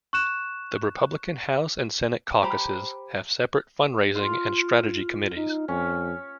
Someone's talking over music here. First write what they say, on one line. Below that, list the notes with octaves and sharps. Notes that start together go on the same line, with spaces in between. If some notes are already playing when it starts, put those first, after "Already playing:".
The Republican House and Senate caucuses have separate fundraising and strategy committees.
C#6 F#6 E7
G4 C5 A#5 B5
F4 F5
D#4
F2 C#4